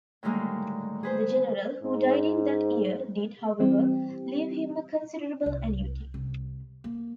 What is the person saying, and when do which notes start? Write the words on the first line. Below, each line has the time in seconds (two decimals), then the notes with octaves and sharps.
The general, who died in that year, did, however, leave him a considerable annuity.
0.23 A2 D3 D#3 G3 G#3 A#3
1.03 G#4 B4 C5
1.83 G#2
3.60 E3 G3 C4 G4
5.46 C2
6.14 C2
6.84 A#3